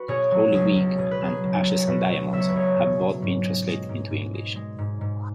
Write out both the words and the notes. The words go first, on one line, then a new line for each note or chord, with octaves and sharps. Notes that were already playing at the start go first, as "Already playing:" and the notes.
"Holy Week" and "Ashes and Diamonds" have both been translated into English.
Already playing: F#4 B4
B2 G#4 C#5
F#3
C#2 G#4
C#2
B2 G#4
B4
F#3 G#4
C#2
C#2
B2 F#4 B4
F#3
C#2 E5
C#5
B4
C#2 G#4 C#5
B2
F#3
G#2
G#3
G#3
G#2
G#2
G#3
G#3
G#2
G#2